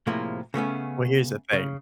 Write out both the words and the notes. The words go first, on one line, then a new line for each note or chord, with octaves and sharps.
Well, here's the thing
A2 C3 F3 G#3 A#3 E4
C#3 A3 B3 C#4
C#3